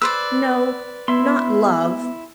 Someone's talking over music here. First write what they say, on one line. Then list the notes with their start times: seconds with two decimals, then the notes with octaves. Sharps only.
No: not love.
0.02 B4 C5 D5 E6
1.08 B3 E4 E5 C6